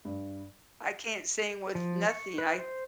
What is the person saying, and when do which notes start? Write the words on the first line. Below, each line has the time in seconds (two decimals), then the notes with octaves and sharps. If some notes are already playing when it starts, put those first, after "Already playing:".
I can't sing with nothing, I
0.05 G2
1.75 F3
2.10 C#6
2.38 B4
2.59 C5